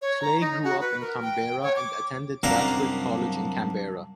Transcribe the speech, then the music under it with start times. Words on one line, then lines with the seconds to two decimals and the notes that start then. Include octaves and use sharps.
Clay grew up in Canberra and attended Radford College in Canberra.
0.02 C#5
0.22 A#5
0.41 D#4
0.64 F#4
0.81 B4
1.01 A#4
1.22 G5
1.63 C#5
1.76 D6
2.43 C2 F#2 A#3 D4 A#4 A#5